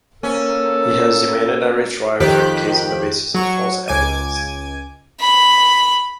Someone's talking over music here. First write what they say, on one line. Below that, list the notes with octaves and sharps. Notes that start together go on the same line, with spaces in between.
He has demanded a retrial for the case on the basis of false evidence.
A#3 C#4 A4
F2 D#3 G4 F#6 B6 D7
F#3 C#6
C#2 G#5 D6 G#6 D#7
B5